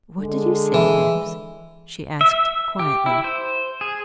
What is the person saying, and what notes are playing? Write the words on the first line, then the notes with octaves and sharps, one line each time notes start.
"What did you say, Bibbs?" she asked, quietly.
D3 G#3
E3
E5
G4
E4
C5
G#4